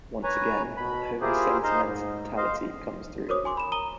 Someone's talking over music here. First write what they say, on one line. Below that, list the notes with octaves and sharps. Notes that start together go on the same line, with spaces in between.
Once again, Homer's sentimentality comes through.
B4 C#5 G#5 A#5
B2 B5
E4 F4 G4 G#4 A#4 C5
D#4 C5 D#5 F5 A#5 C6
G#2
C5 D#5 F5
F#4 A#4 C5 C#5 D6 D#6
G#5 C6 D6
B5 E7
A#5 D#6 D#7 G7